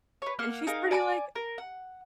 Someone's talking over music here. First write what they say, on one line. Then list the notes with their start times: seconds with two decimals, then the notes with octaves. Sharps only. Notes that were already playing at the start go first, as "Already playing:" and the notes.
and she's pretty like
0.22 B4 C#5
0.39 A#3 F#5 F6
0.67 D#4 G#4 A#4 F5
0.91 D5 G#5 B5 D6
1.35 A#4
1.58 F#5